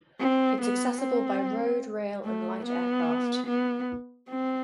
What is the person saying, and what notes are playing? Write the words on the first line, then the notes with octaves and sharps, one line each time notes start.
It is accessible by road, rail and light aircraft.
C4
B3
C4
A3
B3
B3
C4